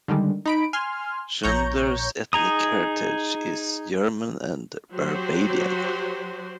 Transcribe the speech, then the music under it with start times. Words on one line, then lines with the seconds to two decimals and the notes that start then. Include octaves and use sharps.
Schundler's ethnic heritage is German and Barbadian.
0.08 D3 D#3 G3 G#3
0.45 D#4 B5 D7
0.73 G#5 C6 F6
1.43 A#1 C#5 A#5 C#6 G6
2.33 D#4 G#4 A#5 D#6
4.94 F#3 F#4 G4 C5